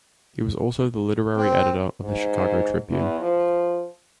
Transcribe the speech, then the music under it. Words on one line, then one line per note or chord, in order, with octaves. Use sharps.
He was also the literary editor of the "Chicago Tribune".
C4
G#2
E2
F3